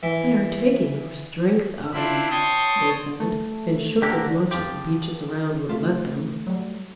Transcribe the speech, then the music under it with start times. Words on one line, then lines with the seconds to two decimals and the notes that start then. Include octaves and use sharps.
"They are taking our strength out of us," they said, and shook as much as the Beeches around would let them.
0.03 E3
1.93 C4 D4 E4 F4 B5
2.30 C#5 G5 A5 C6 C#6 D#6
3.20 A3
4.02 D3 G4 A#4
4.51 F2 F3 F4 G4
5.69 A3 F4
6.47 F#3 G3